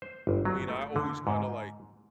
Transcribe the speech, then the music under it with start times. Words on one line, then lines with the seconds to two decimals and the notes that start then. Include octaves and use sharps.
I mean, I always kinda, like
0.02 C5
0.27 G1
0.45 F#3
0.69 A3
0.96 D3
1.27 G#2